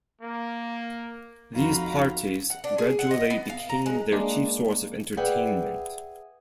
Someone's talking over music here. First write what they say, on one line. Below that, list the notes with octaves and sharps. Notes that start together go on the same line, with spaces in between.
These parties gradually became their chief source of entertainment.
A#3
F2 D#4 F#4 F5 A#5 B5
F#5
D4
G#4
F#5
D#5
B3
F5
A#5
G#3
G#3 A#3 D4
G#4 B4 D5 E5 F#5 G5